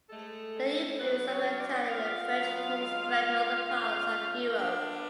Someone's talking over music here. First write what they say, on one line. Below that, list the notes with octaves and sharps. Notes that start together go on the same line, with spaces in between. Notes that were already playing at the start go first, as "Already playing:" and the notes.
The influence of the Italian and French forms spread to other parts of Europe.
G#3 A3 A4
G#3
F#3 B3 B4
B4
C#4 C#5
B3
D5
C#5
D4 D5
B3 F4 F5
F#3
G#3
G#3
C#3
C#3
B3 D4 D5